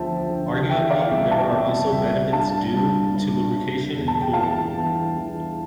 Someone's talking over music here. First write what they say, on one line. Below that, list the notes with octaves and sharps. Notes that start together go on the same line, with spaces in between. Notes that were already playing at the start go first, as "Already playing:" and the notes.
Arguably there are also benefits due to lubrication and cooling.
Already playing: D2 F3 C5 E5 G5 A5
D3
E3 E5 G5
D5 F5
F5
C2 E5 G5
F5 A5
C3 E5 G5
C2 E5 G5
G2 F5 A5
G2
G2
G2
E2
A5
G5
E3 F5 A5
E3
E3